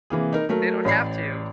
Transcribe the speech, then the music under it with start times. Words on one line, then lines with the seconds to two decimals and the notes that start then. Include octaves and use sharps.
they don't have to
0.10 C3 E3 A#3 G#4
0.32 D#4 A#4
0.49 F#3 A3 A#4
0.85 A1 C#5 D5 B5 C7